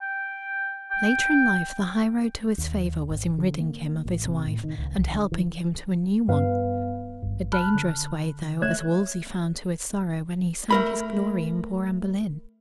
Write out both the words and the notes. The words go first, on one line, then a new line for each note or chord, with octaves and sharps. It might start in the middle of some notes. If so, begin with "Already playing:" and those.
Later in life the high road to his favor was in ridding him of his wife and helping him to a new one--a dangerous way though, as Wolsey found to his sorrow when he sank his glory in poor Anne Boleyn.
G5
G5
D#2
G#1
D3
A#3
A1
C3
A2
D#3
C#2
C2
D3
E3
G2 B3 B4 F5
G#1 G2
A5 B5 F6 F#6
D3
A3 C#5 E5 F#6 G#6 E7
A3 A#4 B5